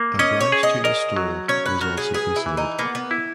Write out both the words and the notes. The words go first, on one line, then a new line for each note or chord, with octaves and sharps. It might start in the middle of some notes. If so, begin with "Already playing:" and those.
A branch to Listowel was also considered.
Already playing: A#3
C#4 D#5
C#5
G#4
D#5
A#4 D#5
F#3
C#4 C#5
B4
F#4 A#4
G#4
G#4 B4
E4
E3
D#4
A#3 B3
B3
E4